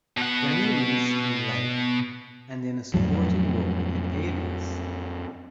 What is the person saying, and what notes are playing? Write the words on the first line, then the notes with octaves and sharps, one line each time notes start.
Dani Reese in "Life", and in a supporting role in "Alias".
B2 F#5
F2 A2 F3 F#3